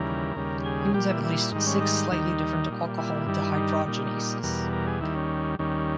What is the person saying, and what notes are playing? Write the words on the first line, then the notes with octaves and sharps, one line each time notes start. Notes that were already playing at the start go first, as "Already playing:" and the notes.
Humans have at least six slightly different alcohol dehydrogenases.
Already playing: D#2 C#3 E3 G3 A#4
D#2 C#3 G3
G#4
A#2 G3 G4
E4
E4
G#2 D#3 G3 D#4
C#4
D#4
D#2 D#3 G3
A#2 G3
E4
G2 D#3 G3
D#4
A#2 G3 D#4
E2 B2 G3 A#4
A#4
G#4
D#2 D#3 G3 E4
C#4
D#2 D#3 G3 C#4